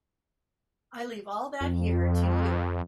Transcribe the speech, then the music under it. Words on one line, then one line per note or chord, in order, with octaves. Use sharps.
I leave all that here to you.
F2